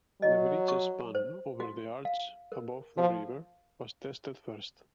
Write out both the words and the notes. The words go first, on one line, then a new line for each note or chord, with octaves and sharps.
The bridge span over the arch above the river was tested first.
F#3 D#5
C#6
C5
F#4
F5
A#4
F3 F5